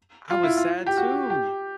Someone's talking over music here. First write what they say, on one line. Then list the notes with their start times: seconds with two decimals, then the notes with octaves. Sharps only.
I was sad too!
0.30 F4
0.43 E4
0.57 F4
0.87 G4
0.97 F#4
1.30 G4